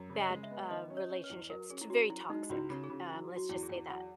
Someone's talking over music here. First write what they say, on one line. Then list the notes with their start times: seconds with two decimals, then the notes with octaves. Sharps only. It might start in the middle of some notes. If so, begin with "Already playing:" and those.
bad, uh, relationships t very toxic, um, let's just say that.
Already playing: F#2
0.10 C#3
0.16 D#5
0.30 G#3
0.43 E5
0.51 B3
0.70 D#3 D#5
0.90 C#4
0.97 C#5
1.10 C#4
1.24 B4
1.30 E2
1.50 F#3 A#4
1.70 C#4 G#4
1.81 E4
1.90 C#4 F#4
2.10 F#3 E4
2.29 G#3 D#4
2.50 C#2 F#4
2.57 E4
2.70 C#3
2.84 G#4
2.90 C#3
3.10 F#3 E4
3.29 F#3
3.36 F#4
3.49 E2
3.55 F#4
3.63 G#4
3.69 E2
3.90 F#3 F#5